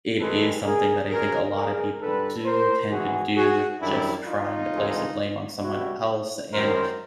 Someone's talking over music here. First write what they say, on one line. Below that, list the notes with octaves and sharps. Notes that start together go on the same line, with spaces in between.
it is something that I think a lot of people do tend to do with just trying to place the blame on someone else, and,
G2 D#3 G#3 A4 B4
G#4 A#4
D#2 C#3 F#3 G#4 A#4
G#4 A#4
G2 D3 G3 A4 B4
A#4 C5
G#1 G#2 E3 F#4 G#4
F#4 G#4
F#2 D#3 G3 D4 E4
D#4 F4
D2 C3 E3 G#3
C#2 B2 G3 E4 F#4
F#2 D#3 G3 A#4 C5